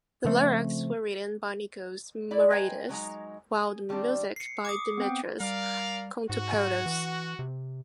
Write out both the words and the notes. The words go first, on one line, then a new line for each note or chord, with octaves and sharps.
The lyrics were written by Nikos Moraitis while the music by Dimitris Kontopoulos.
C#3 F3 A3 C4
E4 D5
B4 C5 D#5 G5 G#5 A#5
F#3 G#3 D#4 A#5
G#4
D#3 G3 A3 C4 D4
C7 C#7
D6 D#6
B3 C4 G5
G3 A#4 D5 F5
G#2 F#4
E3
C3